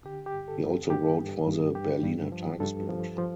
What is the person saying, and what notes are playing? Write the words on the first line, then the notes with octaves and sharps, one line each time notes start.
He also wrote for the "Berliner Tageblatt".
D3 G4
G4
G2
A4
G2
G2 G4
G2
G2
G2 G4
G2
F3
G2 A4
F3
F3